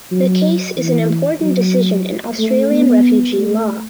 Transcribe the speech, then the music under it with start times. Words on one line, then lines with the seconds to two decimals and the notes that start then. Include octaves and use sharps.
The case is an important decision in Australian refugee law.
0.11 F#3
0.76 E3
1.42 F#3
2.39 A3
2.72 B3
3.37 A3